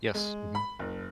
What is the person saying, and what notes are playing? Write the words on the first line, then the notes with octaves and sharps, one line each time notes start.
Yes. Mhm.
G#3
B5
F#1